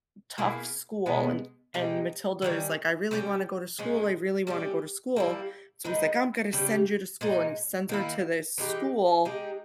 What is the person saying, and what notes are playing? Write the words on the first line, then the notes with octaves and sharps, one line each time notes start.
tough school, and and Matilda is like, "I really wanna go to school, I really wanna go to school," so he's like, "I'm gonna send you to school," and he sends her to this school
B2 A#3 E4 G#4
B2 G#3 B3
B2 G#3 D#4 G4
D#3 G3 C#4
G3 C#4 E4 G4
A#2 G#3 C#4
G3 C#4 G4
G3 A#3 E4
D#3 G#3 B3 D#4
C#3 G3 C#4 G4
A#2 G#3 D#4
D#3 A#3 E4
E3 G#3 D#4 G4
G#3 D#4 G4